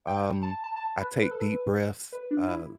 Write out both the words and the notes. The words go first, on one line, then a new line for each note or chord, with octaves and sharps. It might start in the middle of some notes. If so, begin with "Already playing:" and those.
Um, I take deep breaths, uh,
G5
A5
A5
A5
B4
B4
A4
B4
B4
D4
E4